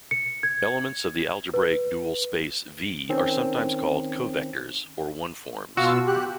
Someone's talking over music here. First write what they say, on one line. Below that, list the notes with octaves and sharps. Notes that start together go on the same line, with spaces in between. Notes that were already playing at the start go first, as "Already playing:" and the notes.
Elements of the algebraic dual space "V" are sometimes called covectors or one-forms.
C#7
G#6
B4
D#3 C4 C#4
B2 F4 F#4 E6
G4 F#6